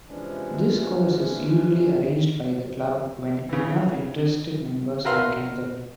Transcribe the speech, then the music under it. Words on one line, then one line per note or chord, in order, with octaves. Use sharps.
This course is usually arranged by the club when enough interested members have gathered.
C3 E3 F3 G#3 C#4 D4
C#3 E3
F#4 A#4 B4 E5 F5 C6